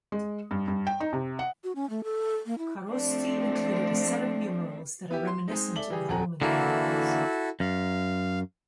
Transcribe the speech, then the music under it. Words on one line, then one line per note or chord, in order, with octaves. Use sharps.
Kharosthi included a set of numerals that are reminiscent of Roman numerals.
G#3
G2
G2
G5
D#4
C3
F#5
F#4
C#4
A3
A4
A#3
E4
F3 A3 C4 D4
B3 E4 G4
C6
G#3 C4 D#4
A4 D5 E5 F#7 G7
E3 G3 G4 G#4
D#1 F2 A4 F#5 G#5 A#5
D3 E3 A#3 E4 F#4 A4
F#2 F5